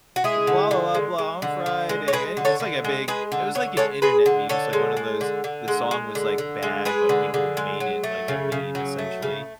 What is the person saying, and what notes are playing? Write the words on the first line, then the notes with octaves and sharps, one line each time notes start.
Blah, blah, blah, blah. On Friday. Eh, it's like a big it was like an internet meme, it's like one of those, the song was, like, bad, but people made it like a meme essentially.
F#4
G#3 E4 G#4
D3
D3
G#3
G#3
D3
D3
G#3
C#5
G#3 G#4 B4
D3
A4 C#5
D3
G#3
G#3 G#4 B4
D3
D3 C#5
G#3 A4 C#5
G#3 G#4 B4
D3
D3 A4 C#5
G#3
G#3
D3
D3
G#3
G#3
D3
D3
G#3
G#3 G#4 B4
D3
D3
G#3
F#3
A3
C#3
C#3
F#3
A3
C#3